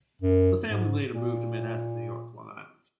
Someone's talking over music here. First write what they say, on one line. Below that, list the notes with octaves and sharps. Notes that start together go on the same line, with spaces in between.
The family later moved to Manhasset, New York, Long Island.
F#2
G#2
A#2